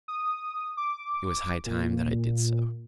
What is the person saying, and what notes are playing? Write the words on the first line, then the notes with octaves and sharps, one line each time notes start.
It was high time that I did so.
D#6
D6
A#2